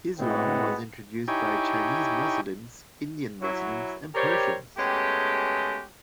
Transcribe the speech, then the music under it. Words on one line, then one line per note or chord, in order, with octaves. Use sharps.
Islam was introduced by Chinese Muslims, Indian Muslims, and Persians.
A2 G#3 B3 C4 F#4
D#4 E4 G4 C#5 G5 G#5
F#3 E4
G3 G4 A#4 C5 C#5
G#3 A3 B3 C#4 G4